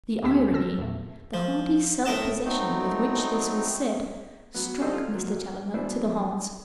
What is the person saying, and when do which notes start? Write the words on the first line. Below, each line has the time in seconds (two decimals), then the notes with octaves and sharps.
The irony, the hardy self-possession with which this was said struck Mr. Challoner to the heart.
0.23 D2 D4 G4 E6 B6
0.40 G#3
0.52 C3 D#3 A4 E6 A#6
0.78 E2 A#2 A3
1.34 F3
2.05 A2 A3 A#4 D#5 A5
2.45 F#3 A3 B3 C4 D#4
4.54 F#3 B3
4.81 G3 D4 D#4 A4 C5 D#5
4.93 F4
5.13 F#3 A#3
5.74 B2 E3 D4 C5